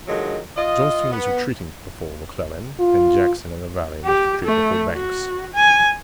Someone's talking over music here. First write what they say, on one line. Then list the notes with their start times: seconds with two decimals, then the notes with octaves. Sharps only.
Johnston was retreating before McClellan, and Jackson in the valley must retreat before Banks.
0.07 D3 D#3 F3 F#3 G#3
0.57 F4 D#5
1.12 B3
2.80 F4
4.05 G4
4.44 A3
4.93 F#4
5.54 G#5